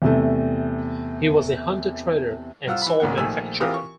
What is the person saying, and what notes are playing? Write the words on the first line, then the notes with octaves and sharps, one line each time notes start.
He was a hunter-trader and salt manufacturer.
E2 C3 A3
C2 F4 F#5 E6 F6
E3 B5
A1 D2 B2 A#3 F#5
A#1 D#3 A3 G#5 E6
E3 C4 F4 G4 A#4 D#6
C#6